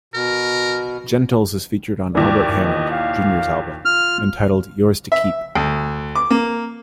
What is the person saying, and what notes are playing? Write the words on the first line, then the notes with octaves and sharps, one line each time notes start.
Gentles is featured on Albert Hammond, Junior's album, entitled Yours to Keep.
B2 A#4
D#2 A#2 E3 D5
D#5
F5
F4 F6
E5
D2
D6
A#3